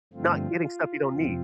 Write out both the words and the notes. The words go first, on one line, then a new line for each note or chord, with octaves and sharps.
not getting stuff you don't need.
G2 D3 F3 A3 C4 F4
F2 C3 F3 C4